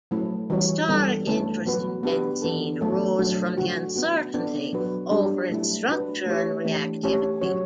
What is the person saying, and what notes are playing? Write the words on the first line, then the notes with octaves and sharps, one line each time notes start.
Historic interest in benzene arose from the uncertainty over its structure and reactivity.
F#3 A3 C#4 E4
E3 G3 C#4 F#4 C#5
D3 G3 B3 D4 A4
D3 A3 C#4 E4 B4
F#3 B3 F#4 B4
B3 D4 G4 B4
E3 B3 D4 A4
F#3 A3 D4 A4 C#5
F#3 A3 D4 F#4
D3 A3 D4 F#4
B3 D4 F#4
B3 D4 A4
F#3 B3 D4 F#4 B4
G3 D4 G4 C#5
F#3 A3 E4
A3 D4 F#4 B4
A3 E4 G4 C#5
E3 A3 D4 G4
A3 C#4 G4 C#5
D3 F#3 C#4 F#4 C#5